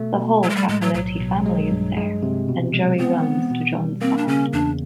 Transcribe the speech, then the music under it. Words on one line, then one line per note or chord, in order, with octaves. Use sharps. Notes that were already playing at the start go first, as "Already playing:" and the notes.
The whole Cappelletti family is there, and Joey runs to John's side.
Already playing: B2 A3
B2
F#3 A3
G#3
G3
A2 G#3
F#3
B1 F#3
B2
G#3
G2
G#3
C3
B2
G#3
B3 C4
E3
B2
G3
A#3 C4
D4
C#3 C#4
E2 D4